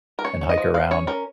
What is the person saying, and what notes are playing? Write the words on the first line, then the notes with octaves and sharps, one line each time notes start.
and hike around.
A#4
C#4 C#5
C#4
D#5
F3
F3 F5
C#4 C#5
C#4 A#4